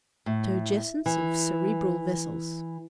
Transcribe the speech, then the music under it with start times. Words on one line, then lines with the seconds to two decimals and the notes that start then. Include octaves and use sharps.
Turgescence of cerebral vessels.
0.26 A2
1.06 E3